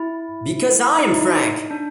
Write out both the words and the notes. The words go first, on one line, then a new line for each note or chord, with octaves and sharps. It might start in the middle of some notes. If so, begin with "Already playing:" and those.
Because I am Frank!
Already playing: E4
D#4
E4
D#4
D4